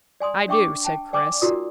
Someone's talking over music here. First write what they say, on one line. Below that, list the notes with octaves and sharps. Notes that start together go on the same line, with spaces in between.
"I do," said Chris.
D5 G#5 C6 D#6
D4 E5 G5 C#6 D6
G5 A5
D5 G5 G#5 D6
D#4 F4 F#4 A#4 D5 D#6